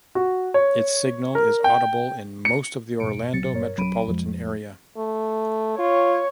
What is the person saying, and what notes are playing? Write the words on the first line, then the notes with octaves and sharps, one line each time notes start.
Its signal is audible in most of the Orlando metropolitan area.
F#4
C#5
A#4
G5
C#7
F2 G#2 B2 C#7 D7
A1 B2 F#3 A6 C#7
G2 A#4 C#5
B1 F#3 C#4 B5 D7 D#7
F2 F3 G#3
A3
F4 C#5